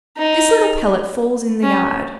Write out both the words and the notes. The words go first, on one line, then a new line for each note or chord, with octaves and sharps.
This little pellet falls in the yard.
D#4
C#4